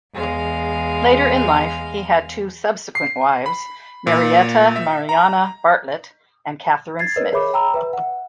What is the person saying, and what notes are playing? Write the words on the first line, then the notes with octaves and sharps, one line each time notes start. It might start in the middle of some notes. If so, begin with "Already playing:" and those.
Later in life, he had two subsequent wives, Marietta Mariana Bartlett and Catherine Smith.
E2 G#3 F5
C7
B5
A#2
E5
A#5
G#6 A6 C7
A#4 B4 C#5 D#5
G#4 C#5 E5 B5 D6
G5 A#5 B5 E6
B4 E5
F#5